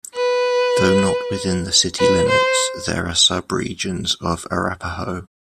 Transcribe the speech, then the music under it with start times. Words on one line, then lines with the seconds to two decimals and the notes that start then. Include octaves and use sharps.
Though not within the city limits, there are sub-regions of Arapahoe.
0.14 B4
1.98 B4
2.29 C5